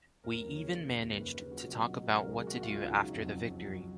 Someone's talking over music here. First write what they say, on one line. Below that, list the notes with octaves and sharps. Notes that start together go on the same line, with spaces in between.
We even managed to talk about what to do after the victory.
D#2 A#4
F3
C#3 C#5
C#3
D#2
D#2
D#2 B4
C#3
F#3
B2
B2
F#3
C#2 A#4
C#2 G#4
C#2 F#4
C#2 F4
C#3 D#4
F#3
F2
F#3
F2
F#3